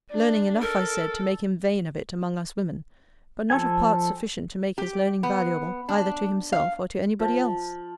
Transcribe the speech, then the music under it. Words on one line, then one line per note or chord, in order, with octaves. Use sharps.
Learning enough, I said, to make him vain of it among us women: but not of parts sufficient to make his learning valuable either to himself or to any body else.
D4
A4 A#4
F3 A4 G#5
G4
B3
D4
F5
F3